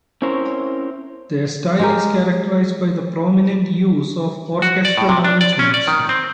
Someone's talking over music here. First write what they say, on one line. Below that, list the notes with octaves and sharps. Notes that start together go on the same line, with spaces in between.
Their style is characterized by prominent use of orchestral arrangements.
C4 C#4 E4 A#4 C5 C#5
G#3 G4 A#4
F#4
D5
A2
C3
D4
D5
C#4
D5
D#3
C4